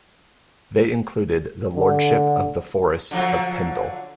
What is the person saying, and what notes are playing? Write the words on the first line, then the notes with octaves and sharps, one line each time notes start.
They included the Lordship of the Forest of Pendle.
D3
D3 F3 F#3